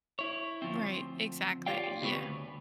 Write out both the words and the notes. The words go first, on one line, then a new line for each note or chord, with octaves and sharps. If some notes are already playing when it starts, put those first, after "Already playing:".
Right, exactly, yeah.
E4 C#5
D2 F3 C4
F4 G4 C#5 D5 F5 G5
C#3 G3 B3 C4 B4 C#5
D2